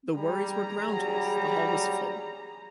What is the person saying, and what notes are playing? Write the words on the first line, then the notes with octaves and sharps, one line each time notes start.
The worries were groundless: the hall was full.
G3 G#4 A#5
F#3 G3